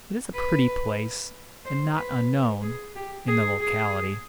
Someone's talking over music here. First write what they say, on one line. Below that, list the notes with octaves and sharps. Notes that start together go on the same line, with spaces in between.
It is a pretty place, and not unknown--in the locality.
B4
C5
B4
G#4
G4
G#4
G#4